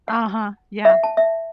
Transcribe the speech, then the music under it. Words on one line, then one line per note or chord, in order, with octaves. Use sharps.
Uh-huh, yeah,
F#5
E5
F#5
A5
E5